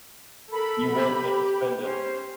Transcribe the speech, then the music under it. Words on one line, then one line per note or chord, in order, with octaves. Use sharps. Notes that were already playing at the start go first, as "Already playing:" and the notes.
You won't get to spend it.
A4 A#4 B5
G4
C#4 C5